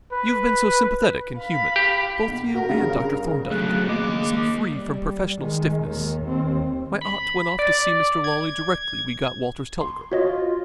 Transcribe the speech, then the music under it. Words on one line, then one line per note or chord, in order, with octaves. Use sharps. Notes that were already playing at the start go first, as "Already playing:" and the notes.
"You have been so sympathetic and human--both you and Dr. Thorndyke--so free from professional stiffness. My aunt went off to see Mr. Lawley directly we got Walter's telegram."
B4
F5 B5
G4
B1
F#4 A#4
G2 C#3 F5
F#3 A3 F#6
A#3 D#5 D6
G3
D#3 G#3
D#2 D#3
D#2 C4
B5
D5
G#6
C6
F4 F#4 C#5 D#5